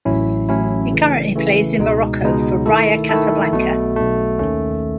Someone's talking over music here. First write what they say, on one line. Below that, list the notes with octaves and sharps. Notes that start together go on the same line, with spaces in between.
He currently plays in Morocco for raja Casablanca.
A1 A2 F#3 C#4 E4
A1 A2 F#3 C#4 E4
C#3 E3 A3
C#3 E3 A3
C#2 B2 G#3 D#4
C#2 B2 G#3 D#4
D#3 A3 E4 A4
D#3 A3 E4 A4
B1 B2 A3
B1 B2 A3
D#2 D#3 A3 C#4